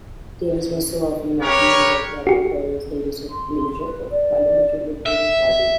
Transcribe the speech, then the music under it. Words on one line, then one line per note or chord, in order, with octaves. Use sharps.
Davis was often an opponent of Robert Doyle's leadership of the parliamentary Liberal Party.
G4 A#4 B4 C#5
F#4 G4
C6
B4
D5
E5